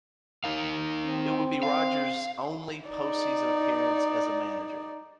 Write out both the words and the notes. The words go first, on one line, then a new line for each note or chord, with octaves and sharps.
It would be Rodgers' only postseason appearance as a manager.
D#4 A#4 F5
C4
F5
D#4 D5